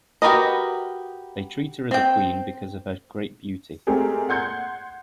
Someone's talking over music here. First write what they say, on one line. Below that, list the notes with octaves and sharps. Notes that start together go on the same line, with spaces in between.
They treat her as a Queen because of her great beauty.
F#4 G4 A#4 B4 D#5
C4 G5
G#3 A3 C4 G4 G#4 A#4
F#5 C6 G6 G#6 C#7